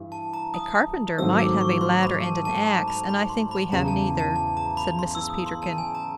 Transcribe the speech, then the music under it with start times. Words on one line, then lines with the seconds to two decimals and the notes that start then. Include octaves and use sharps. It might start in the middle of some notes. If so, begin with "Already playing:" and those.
"A carpenter might have a ladder and an axe, and I think we have neither," said Mrs. Peterkin.
Already playing: G2 E3
0.12 A5
0.34 A#5
0.54 D#6
1.18 G#2 D#3 F#3 A3 C4 E6
1.39 D6
1.61 C#6
1.81 C6
2.03 B5
2.24 A5
2.45 A5
2.65 A#5
2.88 B5
3.09 B5
3.29 C6
3.51 B5
3.72 E2 C#3 E3 A#5
3.88 A5
4.19 A5
4.36 A5
4.57 A#5
4.77 B5
4.99 C6
5.15 E6
5.30 D#6
5.46 C6
5.62 A5
5.78 G#5
5.95 A#5